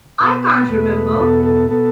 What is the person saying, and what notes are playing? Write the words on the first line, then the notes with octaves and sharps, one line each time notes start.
I can’t remember.
B2 B3 B4
E2 B2 A3
E2 B2 B3 A4
A4
B2 B3 A4